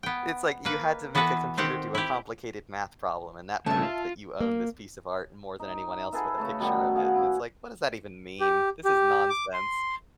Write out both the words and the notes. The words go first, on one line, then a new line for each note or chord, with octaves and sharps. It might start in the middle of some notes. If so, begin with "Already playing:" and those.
it's like you had to make a computer do a complicated math problem, and that proved that you own this piece of art more than anyone else with a picture of it. And it's like, "What does that even mean? This is nonsense."
B3 G5
A#3 B4
E3 B3 F#4 A4 B4
D#3 C4 G4 F#5
E4 G4
G2 C#3 A3 E5 A5
F4
A#3
D#4
G#4 A4 B4 E5
C#3 A3 A4
B2 D#3 G3
G#4 F5 F#5
C#4 E4
G4
G4
D6
C6